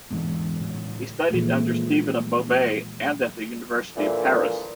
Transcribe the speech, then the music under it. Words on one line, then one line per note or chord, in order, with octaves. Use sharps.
He studied under Stephen of Beauvais and at the University of Paris.
E2 G#2 D3 E3 G#3 B3
A2 C#3 F#3
A#2 E3 F3 G#3 A3
A#2 D3 E3 F3